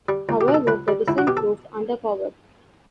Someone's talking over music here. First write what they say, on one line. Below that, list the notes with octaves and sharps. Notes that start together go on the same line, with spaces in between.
However, the design proved underpowered.
G3
C#2
G4
B2
A4
C#2 B4
G3
C#2 E4
F#4
B2 G4
A4